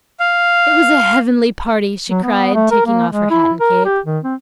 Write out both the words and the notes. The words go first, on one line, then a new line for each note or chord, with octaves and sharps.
"It was a heavenly party," she cried, taking off her hat and cape.
F5
F#3
B3
A3
A#4
A#3
G#3
E4
A#4
G4
D#3
C4